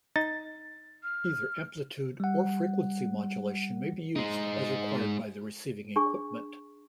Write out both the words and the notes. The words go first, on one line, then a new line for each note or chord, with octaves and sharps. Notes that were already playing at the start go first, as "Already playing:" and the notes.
Either amplitude or frequency modulation may be used, as required by the receiving equipment.
D#4 A6
F6
G3 F#5
G#3 D#4
D4 G#4 G#5 C#6